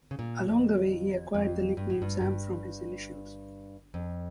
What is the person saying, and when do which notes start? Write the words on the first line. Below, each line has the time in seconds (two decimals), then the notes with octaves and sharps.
Along the way, he acquired the nickname "Sam" from his initials.
0.11 C#3
0.19 A#2
0.48 F2
1.34 F2
1.77 G2
1.90 A2
2.02 G2
2.20 G2
3.94 F2